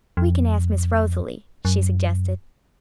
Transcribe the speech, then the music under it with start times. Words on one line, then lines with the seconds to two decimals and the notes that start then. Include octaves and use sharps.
"We can ask Miss Rosalie," she suggested.
0.17 F2
1.65 F#2